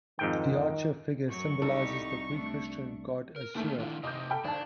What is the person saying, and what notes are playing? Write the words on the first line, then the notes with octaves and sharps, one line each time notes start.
The archer figure symbolizes the pre-Christian god Assur.
F2 G#2 D#3 G5
F#2 F#3 C#6
C2 G3 D#4 G4 A4
A3 D4
A#4
D#2 A3 A#3 D4 A#4
D#3 E3 D4 F4
C3 D#4 D#5 D6 G6
A4 G5 B5
G#1 D4 A5